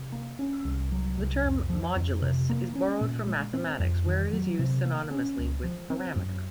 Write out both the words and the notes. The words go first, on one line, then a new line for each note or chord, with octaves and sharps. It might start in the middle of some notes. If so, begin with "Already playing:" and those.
The term "modulus" is borrowed from mathematics, where it is used synonymously with "parameter".
Already playing: C3
A#3
C#4
C2
F#3
C2
F2
F3
F2
C3
A#3
C#4
A#2
G#3
C4
F2
D#3
F#3
C3
A#3
C#4
C#2
F3
C4
F#2